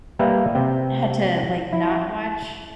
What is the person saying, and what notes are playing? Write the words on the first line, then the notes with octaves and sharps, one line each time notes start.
Had to, like, not watch
G3 A#3 A#4 B4 E5 G5
C3 G5
E4